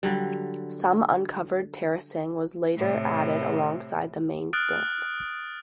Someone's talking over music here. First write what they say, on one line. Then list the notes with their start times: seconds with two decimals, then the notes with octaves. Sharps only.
Some uncovered terracing was later added alongside the main stand.
0.03 D3 F#3 G3
2.78 A2 C3
4.53 D#6 F6 F#6 A6 D7